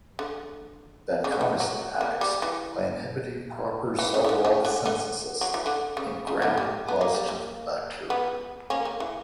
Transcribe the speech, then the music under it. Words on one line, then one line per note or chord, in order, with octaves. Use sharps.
Vancomycin acts by inhibiting proper cell wall synthesis in Gram-positive bacteria.
D3
C#3
D3
E3
F#3
A#3
G3
E3
E3
C#3
C#3
D3
C#3
D3
D3
F#3
E3
D3
C#3
C#3
D3
G3
B3
A#3
G3
A#3
B3
A#3 C#4
A#3
E3